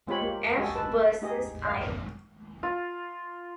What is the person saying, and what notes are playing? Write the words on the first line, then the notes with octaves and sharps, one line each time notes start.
F. versus I.
G#3 C4 F4 G4 C#5 B5
A#3 G4
G#3 F#4 G4 A4 D#5 G#5
A4 B4 A5
A3 D#4 G4 G#4 D#5
D5 F5
F4